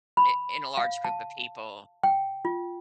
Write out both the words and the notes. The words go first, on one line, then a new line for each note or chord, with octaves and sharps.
in in a large group of people
B5
F5
A5
G5
F4